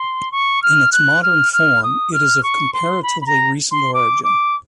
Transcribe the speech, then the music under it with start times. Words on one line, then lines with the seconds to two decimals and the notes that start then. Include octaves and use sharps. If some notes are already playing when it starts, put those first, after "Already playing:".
In its modern form it is of comparatively recent origin.
Already playing: C6
0.32 C#6
0.63 F6
0.92 F#6
1.23 F6
1.53 F6
1.83 D#6
2.13 F6
2.43 C#6
2.73 C6
3.03 B5
3.21 B5
3.26 A#5
3.71 C6
3.94 D6
4.24 D6